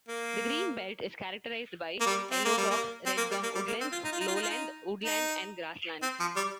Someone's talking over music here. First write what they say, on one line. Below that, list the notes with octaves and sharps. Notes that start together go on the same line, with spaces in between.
The green belt is characterised by Yellow Box-Red Gum Woodlands, lowland woodland and grasslands.
A#3
A#3
G3
C4
A#3
G3
A#3
C4
A#3
G3
A#3
G3
A#3
C4
F4
D#4
F4
D#4
F4
D#4
F4
D#4
D#4
C4
F3
G3